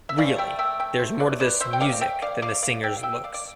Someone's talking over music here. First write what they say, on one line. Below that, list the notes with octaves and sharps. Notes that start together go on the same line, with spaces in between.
Really, there's more to this "music" than the singer's looks.
E5
E3 A3 C4 D5 F5
E5 G5
E5 G5
E5 G5
C5 E5
B4 D5
B4 D5
C5 E5
G5
D5 F5
E5 G5
D5 F5
D5 F5
D5 F5
E5 G5
F5
E5 G5
D5 F5
D5